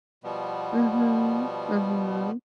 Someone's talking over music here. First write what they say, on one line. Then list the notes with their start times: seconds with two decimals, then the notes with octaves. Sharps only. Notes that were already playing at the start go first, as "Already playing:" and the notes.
Mhm, mhm.
0.24 B2 F3 G3 B3